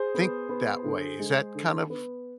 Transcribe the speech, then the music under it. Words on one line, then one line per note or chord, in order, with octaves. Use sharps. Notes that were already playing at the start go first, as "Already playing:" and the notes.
think that way." Is that kind of
Already playing: G#4 C5
B3
B3
D3
G#3
D3
B3